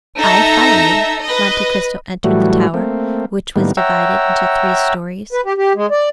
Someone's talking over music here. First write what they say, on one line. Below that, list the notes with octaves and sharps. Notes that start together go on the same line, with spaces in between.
"I follow you." Monte Cristo entered the tower, which was divided into three stories.
D#4 A4 E5 A#5
B4 D#5
A2 E3 F#3 G3 A3 F#4
A3 A#3 C4
A2 D#3 G3 A#3 B3
C#5 E5 F#5 G5 A#5 E6
B4
G4
G4
G#3
D5